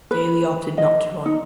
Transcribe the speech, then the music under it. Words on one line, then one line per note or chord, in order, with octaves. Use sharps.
Daley opted not to run.
B4
D#5
D#4